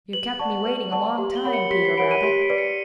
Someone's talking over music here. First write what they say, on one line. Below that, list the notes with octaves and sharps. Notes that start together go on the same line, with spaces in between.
You've kept me waiting a long time, Peter Rabbit.
B4 F#7
D5 F#5 A5 C#6
B4
D5 F#5 A5 C#6
G4
G7
A#4 C#5 F#5 B5
C#7
G4 B6
C7
A#4 C#5 F#5 B5 D7
D#7
G4 D7
D7
B4 D5
C#7